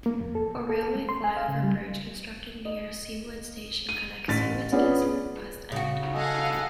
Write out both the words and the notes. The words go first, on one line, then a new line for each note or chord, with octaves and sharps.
A railway flyover bridge constructed near Seawoods station connects Seawoods East and West end.
A#3
F2
A4
C2
A4
A4
G#3
C6
G#5
F5
C#3
G3
D#5
D#7
A1 A6 B6
B3 C#4 F4 G#4 B4 D5
C#3 F#4
A4 D#5 F5 F#5 G#5